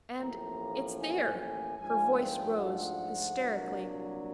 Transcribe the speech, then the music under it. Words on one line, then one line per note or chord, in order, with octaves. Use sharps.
"And it's there," her voice rose, hysterically.
A1 A2 F3 A#3 A#5
G#5
G#5
G#2 F3 A3 D4 F4 G#5
G5
F#5
C2 A#2 F#3 A#3 D4